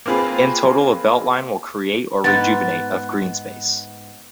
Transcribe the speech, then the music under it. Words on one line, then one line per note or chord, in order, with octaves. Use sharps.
In total, the BeltLine will create or rejuvenate of greenspace.
A#3 C4 F4 G#4 B4
G#2 B3 A6